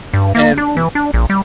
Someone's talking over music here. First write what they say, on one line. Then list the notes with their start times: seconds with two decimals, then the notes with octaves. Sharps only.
and wha
0.13 G2
0.35 A#3
0.58 D4
0.77 E3
0.95 D4
1.14 A#1
1.30 G3